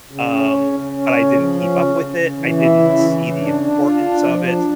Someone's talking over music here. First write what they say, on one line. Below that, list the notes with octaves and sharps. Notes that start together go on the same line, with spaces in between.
um, but I didn't keep up with it, I didn't see the importance of it,
C#3
C#4
C#3
C#3
C#4
C#3
F3
C#4
C#3
C#3
C#3
E3
E4
C#3
E3
C#3
D4
D4
F4
D4
F3
D4